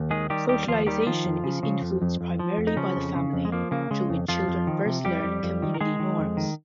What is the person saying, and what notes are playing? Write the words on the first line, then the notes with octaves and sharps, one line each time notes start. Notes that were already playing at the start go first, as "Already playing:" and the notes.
Socialization is influenced primarily by the family, through which children first learn community norms.
Already playing: D#2
D#3 G#3 G#4
D#3 G3 G4
D#2 G3 G4
D#2 F3 F4
D#3 G3 G4
D#3 F3 F4
F2
C#3
C#3
F2
F2
F2
F3
F2
D#4
C#3 F3 C#4
F2
C#3
F2
G#3
F3 A#3
C#3 A#3
C#3 G#3
F2
F2 F3 F4
F2
D#3
C3
F2 G3 G4
F2
F2
D#3
A#4
D#3 G#3 G#4
D#3
F2
D#3